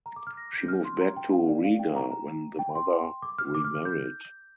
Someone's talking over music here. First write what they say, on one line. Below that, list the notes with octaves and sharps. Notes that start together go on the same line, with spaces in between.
She moved back to Riga when the mother remarried.
A#5
D6
F6
A#6
G6
F6
C6
A#5
G5
F5
D5
F5
G5
G5
A#5
A#5
G5
C6
D6
F6
D6
F6
F6
G6